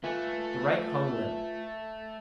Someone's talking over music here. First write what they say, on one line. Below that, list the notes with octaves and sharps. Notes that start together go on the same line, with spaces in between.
The right hung limp.
A3 F4 B4 G#5